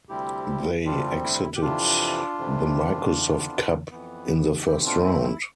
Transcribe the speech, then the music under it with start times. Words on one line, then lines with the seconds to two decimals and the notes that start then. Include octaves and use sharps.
They exited the Microsoft Cup in the first round.
0.09 D2 C3 G3 C4 E4 G4
0.85 D2 C3 G3 C4 D4 F4
1.23 E4
1.56 G4
1.62 F2 C3 E3 D4 F4
2.38 F2 C3 E3
3.15 F2 E3 B3
3.91 F2 E3 B3
4.67 B2 A3 C4 E4 G4
4.86 D4 F4
5.05 E4
5.24 E4